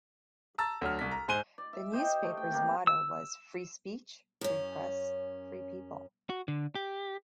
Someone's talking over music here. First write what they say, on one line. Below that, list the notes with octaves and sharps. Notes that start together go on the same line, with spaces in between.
The newspaper's motto was "Free Speech, Free Press, Free People".
A5 A#5 E6 A6
D2 F#3 F6
C2 B6
A#5
G#2 C5 G#5 F#6 D#7 G7
D5
E5
G4 C5 D#5 G5
A3
G5
C3 A#3
E6
F#2 C#4
F#4
D3
G4